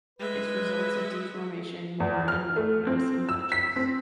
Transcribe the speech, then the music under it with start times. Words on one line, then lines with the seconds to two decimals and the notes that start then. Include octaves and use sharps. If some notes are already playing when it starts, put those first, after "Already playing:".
It results a deformation more and more pronounced in the edges.
0.19 G#3 B4 E5
2.00 E2
2.28 F6
2.56 A3
2.87 C4
3.29 E6
3.52 B6
3.76 C4